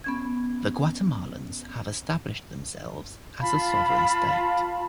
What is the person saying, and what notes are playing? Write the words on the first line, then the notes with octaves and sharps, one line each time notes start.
The Guatemalans have established themselves as a sovereign state.
B3 C#4 G#6
F4 F5 A5 B5